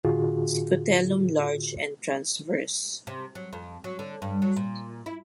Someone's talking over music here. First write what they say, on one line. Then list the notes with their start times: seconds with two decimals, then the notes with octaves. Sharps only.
Scutellum large and transverse.
0.05 A2 D3 F4 F#4 G#4
3.07 C3
3.35 F#3
3.53 F2
3.84 F#3
3.99 D3
4.22 G2
4.42 F#3
4.56 A#2
5.06 E4